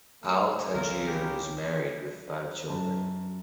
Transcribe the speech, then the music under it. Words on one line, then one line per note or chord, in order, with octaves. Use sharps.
Al Tajir is married with five children.
D#2 A3
C#2 C#3 A#4
G4 B5 G6
F#2 A5